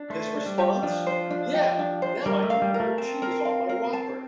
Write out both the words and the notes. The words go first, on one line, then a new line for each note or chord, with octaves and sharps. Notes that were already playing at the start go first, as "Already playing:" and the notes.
His response: "Yeah, now I can order cheese on my Whopper".
Already playing: D4
A3 C5
D4
G3
G4
F3 D4
C5
D4
G4
D4
C5
G3 A#4
A3
F5
G3
A#4
A3
C4 A5
A#4
F5
A#4
A5